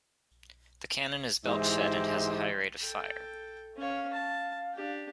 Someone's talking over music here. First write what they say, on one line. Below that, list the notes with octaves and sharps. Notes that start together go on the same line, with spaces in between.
The cannon is belt fed and has a high rate of fire.
G#2 E3 G#3 E4 G4 C5
A4 G5
C#4 C#5 F5
A5
D4 G4